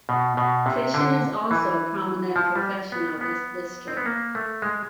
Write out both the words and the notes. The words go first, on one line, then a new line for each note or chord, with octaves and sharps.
Fishing is also a prominent profession of this district.
B2
B2
C3
D3
E3
F3
G3
B3
B3
C4
B3
A#3
A3
G#3